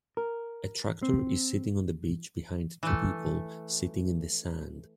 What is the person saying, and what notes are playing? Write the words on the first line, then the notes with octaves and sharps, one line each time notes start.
A tractor is sitting on the beach behind two people sitting in the sand.
A#4
C4
E3 A3